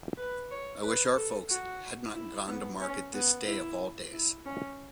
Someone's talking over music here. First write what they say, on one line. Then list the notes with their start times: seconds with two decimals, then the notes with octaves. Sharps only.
I wish our folks had not gone to market this day of all days.
0.17 B4
0.51 C#5
0.83 B4
1.16 A4
1.49 F#4
2.15 E4
2.48 B3
2.81 C#4
3.14 B3
3.47 E4
4.13 E4
4.46 C#4